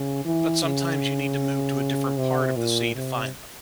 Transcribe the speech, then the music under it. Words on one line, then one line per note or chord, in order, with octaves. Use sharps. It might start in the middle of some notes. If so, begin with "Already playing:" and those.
but sometimes you need to move to a different part of the sea to find them.
Already playing: C#3
E3
C#3
C3
A#2
C3